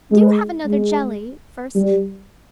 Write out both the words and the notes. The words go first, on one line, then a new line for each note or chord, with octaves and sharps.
Do have another jelly first.
G#3
G#3
G3